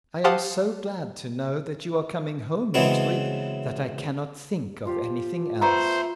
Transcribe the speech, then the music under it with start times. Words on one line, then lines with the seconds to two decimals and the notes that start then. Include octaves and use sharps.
I am so glad to know that you are coming home next week, that I cannot think of any thing else.
0.24 G4 C5 F5 F#5 A5 D#6
2.74 C#3 E3 F#3 G#3 B3 C4
4.85 F3 F4 G4
5.61 A3 B3 C5 A#5